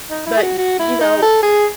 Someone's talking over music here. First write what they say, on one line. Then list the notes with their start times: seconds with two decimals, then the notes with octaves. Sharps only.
But y you know,
0.10 D#4
0.26 E4
0.37 G#4
0.42 F#4
0.58 F#4
0.79 E4
1.01 D#4
1.23 A4
1.43 G#4